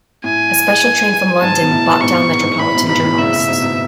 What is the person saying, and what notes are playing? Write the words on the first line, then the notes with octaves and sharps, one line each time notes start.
A special train from London bought down metropolitan journalists.
A2 G#5
G#2 A5
B2
A2
G#2 B2 C#6
A2
G#2
A2 B5
G#2 B2
G#2 B2 B5
A2
A2 C#3 E5
A2 C#3
G#2 B2
G#2 B2